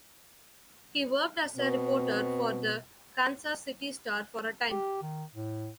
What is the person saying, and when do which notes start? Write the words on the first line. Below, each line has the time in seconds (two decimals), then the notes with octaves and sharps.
He worked as a reporter for the "Kansas City Star" for a time.
1.56 B2 C4
4.70 G4
5.02 D#3
5.34 A2